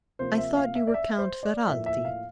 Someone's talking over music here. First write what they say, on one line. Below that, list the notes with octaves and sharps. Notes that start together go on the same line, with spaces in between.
"I thought you were Count Ferralti."
C3 F3 A#3 C5
E5
F5
E5
D5
E5
C5
D5
A2 F3 A#3 E5
E5
F5